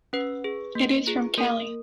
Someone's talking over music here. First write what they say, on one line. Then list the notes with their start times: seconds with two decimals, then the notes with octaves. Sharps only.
It is from Cali.
0.13 C#4 B4
0.44 G#4
0.75 A#3
1.07 F4 G#4
1.37 A#3 A#4